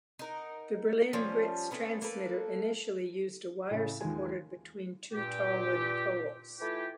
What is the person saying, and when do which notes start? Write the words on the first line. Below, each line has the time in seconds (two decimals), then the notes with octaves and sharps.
The Berlin-Britz transmitter initially used a wire supported between two tall wooden poles.
0.19 D#4 A#4 F#5
1.13 F3 G3 B3 C#4
1.71 A3 B3 C#4
2.02 A#3 A4 B4
3.71 A2 C#3
4.01 D#2 D#3 F3 G#3 G#5
5.13 G2 A#2 G4
6.59 E3 A3 E4 F4 G4